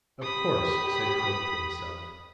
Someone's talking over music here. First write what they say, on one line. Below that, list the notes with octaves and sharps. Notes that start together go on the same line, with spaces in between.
"Of course," said Cope to himself.
G4 B5 D#6